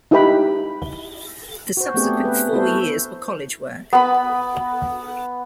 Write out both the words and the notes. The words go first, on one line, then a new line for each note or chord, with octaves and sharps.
The subsequent four years were college work.
D#4 E4 G4 B4 G5 B5
F#4 C5
A3 B3 C4 D4 G4 G#4
B4
B3 E4 F#4 A4 C5
B3 B5